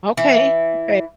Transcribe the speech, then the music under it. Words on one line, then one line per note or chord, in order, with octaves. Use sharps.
Okay, okay.
E3